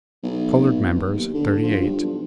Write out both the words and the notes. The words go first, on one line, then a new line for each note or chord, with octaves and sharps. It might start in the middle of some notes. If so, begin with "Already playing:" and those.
Colored members, thirty-eight.
B1
B1
D#2
D3
F3
G2
B1